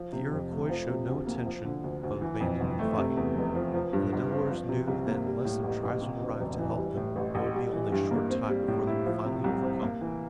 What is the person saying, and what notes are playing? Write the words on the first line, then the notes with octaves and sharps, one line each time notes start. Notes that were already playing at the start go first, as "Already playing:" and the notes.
The Iroquois showed no intention of abandoning the fight, and the Delawares knew that unless their tribesmen arrived to help them it would be only a short time before they were finally overcome.
Already playing: F3
C3
F2
A3
F3
C3
D2
A#3
F3
D3
D2
D2
E3
F2
G1
A3
C3
E2
F1
F3
F3
G2
G1
C4
F3
C3
C2
A#3
G3
A2
A1
A1
C3
D2
E1
E3
G3
A2
A1
A1
G3
E3
G2
A#3
C4
G3
A2
E4
F3
C3
C2
C4
A#3
E3